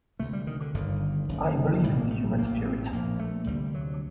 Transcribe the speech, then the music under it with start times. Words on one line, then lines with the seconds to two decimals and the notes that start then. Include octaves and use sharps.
I believe in the human spirit.
0.19 D2 C3 A3
0.33 G3
0.47 D#3
0.61 D3
0.74 G1 G2 D3 D#3
1.29 F#1 F#2 D3
1.72 F#3
1.83 A1 A2 G3
1.97 A#3
2.11 A3
2.24 G3
2.38 A1 A2 A#3
2.65 C4
2.92 A#1 A#2 A#3
3.19 A3
3.47 D2 C3 G3
3.74 F#3